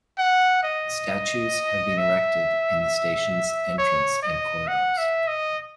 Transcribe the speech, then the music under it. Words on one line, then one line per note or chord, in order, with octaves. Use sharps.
Statues have been erected in the station's entrance and corridors.
F#5
D#5
E5
C#5
D#5
F#5
E5
D#5